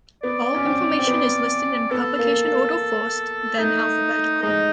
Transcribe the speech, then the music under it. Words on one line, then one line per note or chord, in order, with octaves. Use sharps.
All information is listed in publication order first, then alphabetical.
B3 D5
C#4
C4
C4
B3
B3 A4
A#3
A#3
A3 D#4
G#3 D#4